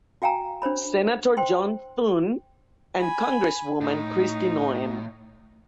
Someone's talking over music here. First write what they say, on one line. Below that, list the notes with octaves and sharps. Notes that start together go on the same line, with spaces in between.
Senator John Thune and Congresswoman Kristi Noem.
F#4 F5 G5 G#5 A#5
D4 C5 C#5 B5
C5 G5 C6
G#5 B5
A2 D#4